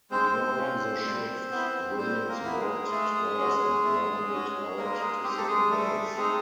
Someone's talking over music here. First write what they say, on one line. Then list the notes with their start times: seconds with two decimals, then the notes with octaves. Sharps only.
Ignoring the shift, Williams walked twice and grounded out to second base.
0.11 G#3 C4 C5
0.57 C#4 F4
1.04 G3
1.51 B3 E4
1.97 G3 C4 C5
2.28 A#3 A#4
2.44 B3 E4
2.59 G#3 G#4
2.90 G#3 A3 G#4
3.37 C#4 F#4
3.84 A3
4.30 C#4 F#4
4.77 G3 A#3 A#4
5.00 G#3 G#4
5.24 C4 D#4 G4
5.37 A4
5.47 G#3 G#4
5.70 G3 A3 A4
6.17 G#3 C4 D#4 G#4